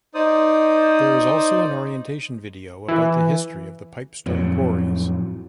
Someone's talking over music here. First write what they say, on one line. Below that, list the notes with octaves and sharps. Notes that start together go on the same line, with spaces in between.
There is also an orientation video about the history of the pipestone quarries.
D#4 C5 D5 D#6
E3
F2 A2 F#3